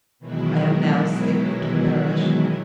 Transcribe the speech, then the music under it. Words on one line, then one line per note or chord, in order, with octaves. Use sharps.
I am now safe to perish.
B2 D#3 E3 F#3 G#3 E4